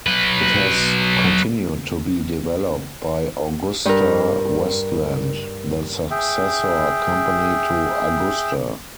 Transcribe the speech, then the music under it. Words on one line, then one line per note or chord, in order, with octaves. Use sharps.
It has continued to be developed by AgustaWestland, the successor company to Agusta.
F#3 B4
G2 A#4
G#4 E5 G5